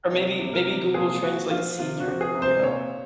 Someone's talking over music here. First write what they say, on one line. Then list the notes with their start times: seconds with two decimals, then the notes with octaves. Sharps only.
Or maybe maybe Google Translate senior, you know?
0.11 C3 C#5
0.39 C3
0.53 A#4
0.67 C3
0.94 A#2 G#4
1.23 F3 F#4
1.51 F3 F4
1.79 C3 F4
2.00 F#4
2.08 F3
2.21 G#4
2.35 C3
2.42 C5
2.64 A#2 C#5